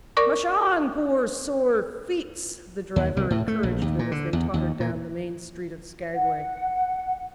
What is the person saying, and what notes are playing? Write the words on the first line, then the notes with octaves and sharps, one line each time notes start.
"Mush on, poor sore feets," the driver encouraged them as they tottered down the main street of Skaguay.
A#4 D5 C#6 D6
D#2
C2
A2
A3
A#1
D#2
A#2
D3
E2
D#2
A#2
F#5